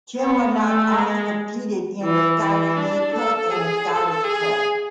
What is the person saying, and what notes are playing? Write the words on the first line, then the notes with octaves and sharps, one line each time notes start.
Kilmarnock also competed in the Scottish League Cup and the Scottish Cup.
B3
A3
G#3
E3
E3
D4
A4
G#4
A4
G#4